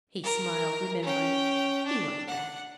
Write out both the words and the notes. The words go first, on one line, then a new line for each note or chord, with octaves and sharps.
He smiled, remembering--he liked that.
A#4
C#4 G5
D4
F#5